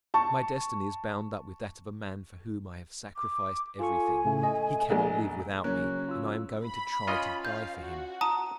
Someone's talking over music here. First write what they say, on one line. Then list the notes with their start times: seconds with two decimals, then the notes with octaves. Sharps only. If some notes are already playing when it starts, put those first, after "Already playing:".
My destiny is bound up with that of a man for whom I have sacrificed everything; he can not live without me and I am going to try to die for him.
0.14 A5 C#6
3.17 D6
3.80 F4 A4 G#5 C#6
4.25 A2 C#3 A3
4.43 A3 D#5
4.90 A#1 G#3
5.64 C#3 F#3 A#3 C#4 F#6
6.09 F4 E6
6.64 B5
7.07 C#4 F4 D#5
7.45 F5 G6
7.78 F#4
8.21 A5 A#5 D#6